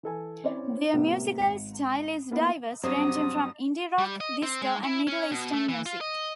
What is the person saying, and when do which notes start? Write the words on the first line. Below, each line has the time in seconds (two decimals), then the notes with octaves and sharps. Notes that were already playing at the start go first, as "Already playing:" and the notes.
Their musical style is diverse, ranging from indie rock, disco and Middle Eastern music.
0.03 E3 A4 G#5
0.44 C4 C#4 E4 C#5 D5
0.93 A2 C3 G3 A#3 B3
1.40 G#1 C#7
2.31 A#3 B3 E4
2.84 G2 C3 F#3 C5 C#5 D#6
3.98 G3
4.20 D#5
4.43 C4
4.62 G#3
4.83 E4
5.07 C#4
5.32 B2
5.53 A3
5.69 E3
5.86 F4
6.01 D#5